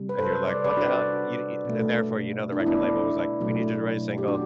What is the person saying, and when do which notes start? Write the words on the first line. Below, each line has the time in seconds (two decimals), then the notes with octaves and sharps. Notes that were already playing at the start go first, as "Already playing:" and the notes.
and you're, like, "What the hell?" You t e and therefore, you know the record label was, like, "We need you to write a single
Already playing: C3 G3
0.09 B4
0.19 A4 C5
0.48 D5
0.64 B4 D5
0.77 D4 F#4
1.65 B2 A3
2.52 D4
2.60 E4
2.67 B3 D4
3.41 B2 F#3 A3
4.18 G4
4.28 D4 F#4